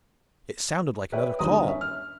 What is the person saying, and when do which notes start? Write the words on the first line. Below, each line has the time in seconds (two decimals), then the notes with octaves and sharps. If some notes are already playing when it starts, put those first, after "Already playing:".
"It sounded like another call."
1.12 B4 C#5 D5 E5 G5
1.39 G1 D#2 G3 B4 A#5 D#6
1.64 C#4 C#5 E5
1.81 F6